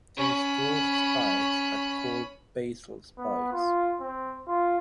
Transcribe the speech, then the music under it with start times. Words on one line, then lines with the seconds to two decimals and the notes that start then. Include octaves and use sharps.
These dwarfed spikes are called "basal spikes".
0.17 C#4 B5
3.18 B3
3.52 F4
4.00 C4
4.48 F4